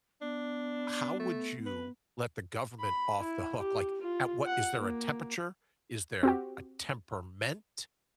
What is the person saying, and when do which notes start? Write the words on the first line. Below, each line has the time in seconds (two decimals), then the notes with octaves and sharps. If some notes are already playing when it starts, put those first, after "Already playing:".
How would you let the government off the hook? Like, at what is there a temperature? Is there a temperament
0.22 B3 D4
1.19 A3
1.66 B4
2.80 B5
3.23 E4
3.59 G4
4.01 F4
4.46 F#5
4.79 A#3
6.23 C4 F#4 G4